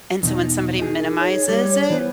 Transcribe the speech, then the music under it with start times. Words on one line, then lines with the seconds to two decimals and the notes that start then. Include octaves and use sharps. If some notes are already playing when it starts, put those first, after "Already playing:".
And so, when somebody minimizes it
0.23 E2 B2 D#4
0.79 D#4 F#4 G#4
0.97 A#4
1.19 C#5
1.49 G3
1.90 E3 B3 C5